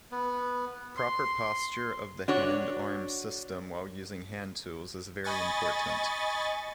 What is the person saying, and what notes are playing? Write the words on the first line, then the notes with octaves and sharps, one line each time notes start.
Proper posture of the hand-arm system while using hand tools is very important.
B3
C6
D4 F#4 C#5
D#5 G#5 B5 C#6 A6